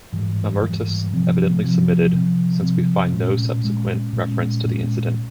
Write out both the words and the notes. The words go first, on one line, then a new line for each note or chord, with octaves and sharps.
Mamertus evidently submitted, since we find no subsequent reference to the incident.
G#2 E3 G3
G#2 E3 G3
C3 F3 C4
C3 F3 C4
C3 F3 C4
C3 F3 C4
A#2 G#3 C#4
A#2 G#3 C#4
A#2 G#3 C#4
A#2 G#3 C#4